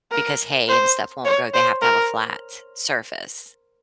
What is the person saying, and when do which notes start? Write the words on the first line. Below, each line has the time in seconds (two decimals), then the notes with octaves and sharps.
because hay and stuff won't grow, they have to have a flat surface.
0.12 A#4
0.69 C5
1.25 C#5
1.54 C5
1.82 A#4